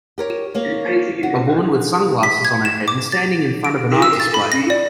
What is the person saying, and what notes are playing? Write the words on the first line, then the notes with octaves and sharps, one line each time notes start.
A woman with sunglasses on her head and standing in front of an art display.
G4 A#4 C#5
A#3 C#5
F#4
B6
G#6
E7
D6
A6
D7
E6
A6
B5
A#6
D5